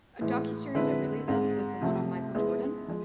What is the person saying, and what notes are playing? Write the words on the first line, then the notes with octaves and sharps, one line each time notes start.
A docuseries I really loved was the one on Michael Jordan
A2 E3 G#3
D3 G#3 C4 E4 B4
G#2 G#3 C4
C3 F3 A3 C4
G#3 B3 E4 G#4
F3 G#3